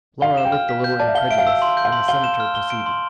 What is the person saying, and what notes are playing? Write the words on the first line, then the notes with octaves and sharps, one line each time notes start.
Laura looked a little incredulous, and the Senator proceeded.
F5 G7
E7
G5
F6
B6
G6
D5 A5
E5
F5 G7
E5 D7
F5
E6
C6
G6
F5
C6
F5 G7
E7
F6
G7
D7
C6